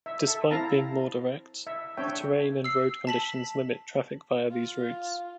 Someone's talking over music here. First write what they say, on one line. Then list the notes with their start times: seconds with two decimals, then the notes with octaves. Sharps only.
Despite being more direct, the terrain and road conditions limit traffic via these routes.
0.06 E5
0.27 A4 E5
0.51 C4 E4 F5 A5 A#5
1.67 E5
1.97 C4 D4 C#5 E5 G5
2.64 E6 C7
3.07 A5 B6 F#7
4.50 F4 F5